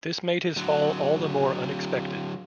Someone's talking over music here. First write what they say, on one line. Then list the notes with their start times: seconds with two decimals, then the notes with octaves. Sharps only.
This made his fall all the more unexpected.
0.57 D3 F#3